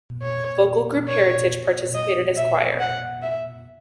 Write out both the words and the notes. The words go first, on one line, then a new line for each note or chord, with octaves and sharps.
Vocal group Heritage participated as choir.
C#5
C#5
D#5
E5
F#5
E5